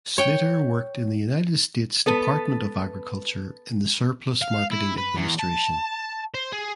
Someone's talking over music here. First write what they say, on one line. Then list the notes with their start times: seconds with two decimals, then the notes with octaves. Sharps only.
Slater worked in the United States Department of Agriculture in the Surplus Marketing Administration.
0.18 C#5 G5
2.06 B3 A4 B4
4.42 F5
4.71 E4
4.98 B4
5.16 E2
5.39 A5
6.34 C5
6.53 G#4